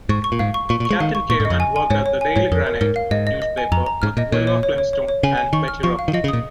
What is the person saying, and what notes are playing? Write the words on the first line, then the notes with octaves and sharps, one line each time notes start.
Captain Caveman worked at "The Daily Granite" newspaper with Wilma Flintstone and Betty Rubble.
G#2 C#6
C#6
A#2
G#2 F5
C#6
A#2 C#6
A#2
C#6
G#3
D#3 F5
C#6
A#2 C#6
G#2
D#5
F2
G#5
G#5
G#2 C#5
C#5
G#5
G#2 C#5
F2 A#4
A#4
G#2 A#4
F5
G#2 D#5
D#5
D#5
G#5
F2 A#5
A#5
G#2 F6
A#2 D#5
A#2 C#5
C#5
C#5
C#5
C#5
C#5
C#3 G#5
G#5
D#3 C#6
F6
F3 C#6
F5
D#3
F3 D#5
C#3
A#2 D#6